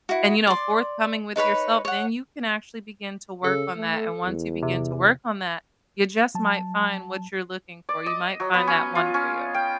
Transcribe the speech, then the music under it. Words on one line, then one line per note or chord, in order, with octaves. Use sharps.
and, you know, forthcoming with yourself, then you can actually begin to work on that, and once you begin to work on that, you just might find what you're looking for. You might find that one for you.
E4 F#4
D5 C6
D#4 B4 C#5 B5
C#5 F#5
C#3 A4
A3
E2
C3
F#3 A5
D5
D#5
F#3
B3
C#4
F4
C#4
G5